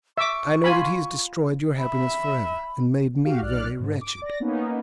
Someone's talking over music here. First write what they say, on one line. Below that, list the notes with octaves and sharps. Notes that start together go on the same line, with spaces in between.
"I know that he has destroyed your happiness for ever, and made me very wretched."
E5 C#6 D6
F4 G#5 B5
E5 B5
F#4 G4 F5
B1 D5 F6 F#6
G#2 D3
D6
D5 A#6
A#3 B3 C#4 D#4